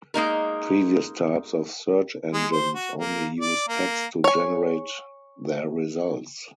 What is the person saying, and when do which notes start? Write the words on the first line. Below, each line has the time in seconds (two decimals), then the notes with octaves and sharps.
Previous types of search engines only use text to generate their results.
0.14 G#3 A#3 D#4 A#4
2.33 G#3
2.52 C5
2.75 F#4
2.98 A#3
3.40 D5
3.68 A#3
4.24 C#5 G#5